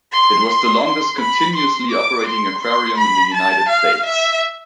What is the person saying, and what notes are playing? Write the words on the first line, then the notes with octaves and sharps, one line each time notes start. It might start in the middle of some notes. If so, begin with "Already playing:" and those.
It was the longest continuously operating aquarium in the United States.
C6
C6
C6
B5
C6
D6
C6
C6
B5
A5
F5
E5